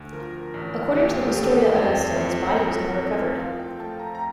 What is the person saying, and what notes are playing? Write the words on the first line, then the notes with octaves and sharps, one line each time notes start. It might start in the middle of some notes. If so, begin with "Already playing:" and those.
According to the "Historia Augusta", his body was never recovered.
Already playing: D2
F3 A#4
A1
D#2 G4
A4
G4
A3 A4
A4
F2 C5
F2 C5
A2 A#4
C4 A4
F3 F5
G5
A3 A5
A#5
A#5